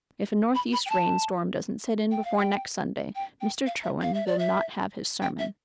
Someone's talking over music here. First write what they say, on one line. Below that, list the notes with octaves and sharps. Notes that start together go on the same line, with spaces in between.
If a northeast rainstorm doesn't set in before next Sunday, Mr. Trewin will not have his sermon.
B5
B5
G5
A5
G5
F5
G5
G5
G5
F5
E5
F5
E5
D5
E5
G5
E5